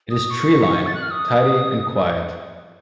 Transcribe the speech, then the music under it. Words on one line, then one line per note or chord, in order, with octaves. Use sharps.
It is tree-lined, tidy, and quiet.
D#6
C#6
A6
F#6
F6
D#6